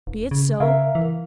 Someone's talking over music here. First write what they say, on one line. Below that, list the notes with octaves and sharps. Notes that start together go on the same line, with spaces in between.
Be it so.
E1
C#3
C#3 A#4 E5 F5
E3